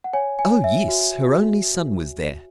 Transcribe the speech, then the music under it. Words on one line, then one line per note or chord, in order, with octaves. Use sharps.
Oh! yes: her only son was there.
F#5
C#5 G#5
G#5
C#5
E5
F#4
F#4